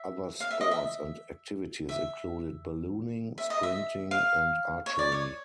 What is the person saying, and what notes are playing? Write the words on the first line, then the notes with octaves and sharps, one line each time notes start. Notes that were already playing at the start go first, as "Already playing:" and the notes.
Other sports and activities included ballooning, sprinting and archery.
Already playing: E5
F5
E5
D#5
E5
E5
E5
D#5
E5
F5
C#5
D5
C#5